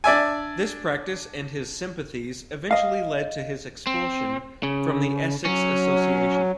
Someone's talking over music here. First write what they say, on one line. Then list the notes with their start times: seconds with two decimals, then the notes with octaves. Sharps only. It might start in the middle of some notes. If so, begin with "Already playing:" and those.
This practice and his sympathies eventually led to his expulsion from the Essex Association.
0.04 D4 D5 E5 G#5
2.71 D#5 F5
3.87 C4
4.63 C#3
5.45 F#3 C#4